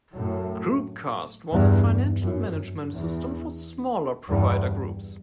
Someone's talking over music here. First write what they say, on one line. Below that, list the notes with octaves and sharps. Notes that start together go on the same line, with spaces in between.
Groupcast was a financial management system for smaller provider groups.
F#2 A2
E2 G2
F#2
E2
E2 G2